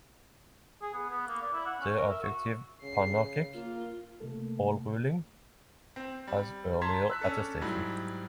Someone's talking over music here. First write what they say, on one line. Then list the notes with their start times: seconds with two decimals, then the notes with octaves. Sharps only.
The adjective "panarchic" "all-ruling" has earlier attestations.
0.82 G#4
0.94 B3
1.09 B3
1.28 A#3
1.41 D5
1.53 E4
1.66 F#5
1.80 C#4
1.97 A#4
2.09 E5
2.22 F#4
2.83 C#3 C7
3.55 A#3 F4
4.20 C3 A3 A#3 A4
5.96 C4
6.28 G3
6.81 A5 A#5 C6 G#6 B6
7.10 E6 F#6 B6
7.21 C#4 D4 A4
7.61 G#2 F#3 G3 E4